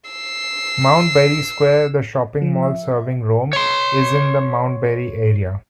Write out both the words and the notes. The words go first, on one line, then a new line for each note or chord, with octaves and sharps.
Mount Berry Square, the shopping mall serving Rome, is in the Mount Berry area.
E6 C7
F3
E5
C#5 C6